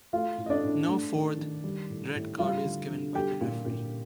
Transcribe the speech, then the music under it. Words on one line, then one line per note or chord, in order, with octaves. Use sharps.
No fourth red card is given by the referee.
A3 F4 F5
A2
D#5
D4 D5
A2
A3
D#3
D#3
G3
A2
A2
G3 F4 F5
D3
D3
G3 G4 G5
A#2
A#2